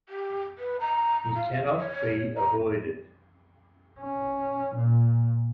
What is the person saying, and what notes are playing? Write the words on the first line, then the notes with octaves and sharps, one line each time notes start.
He cannot be avoided.
G4
B4
A#5
F4
F5
C#5
A#5
C#4
A#2